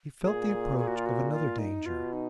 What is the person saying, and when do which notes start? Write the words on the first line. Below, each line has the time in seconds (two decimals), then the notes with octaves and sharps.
He felt the approach of another danger.
0.24 A#2 G#4
0.78 G#4
0.87 F#4
0.96 F4
1.06 F#4
1.32 F4
1.59 D#4
1.86 B2 F4
2.13 D#4